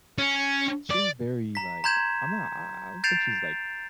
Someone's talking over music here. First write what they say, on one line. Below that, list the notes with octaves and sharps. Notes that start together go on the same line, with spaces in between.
she's very, like I'm not I I don't think she's, like,
C#4
D5
A#5 B6
A#5 C6 G6 G#6 E7
G6 A6 C7 D7 E7 F7